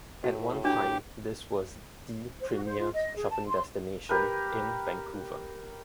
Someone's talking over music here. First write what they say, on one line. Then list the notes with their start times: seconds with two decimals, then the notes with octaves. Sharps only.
At one time this was the premiere shopping destination in Vancouver.
0.24 A2 F#4
0.64 D4 F#4 G4
2.40 C5
2.52 F#4
2.66 C5
2.79 F4
2.94 D#5
3.15 G#4
3.30 A5
3.46 C6
4.09 G4 A#4 B4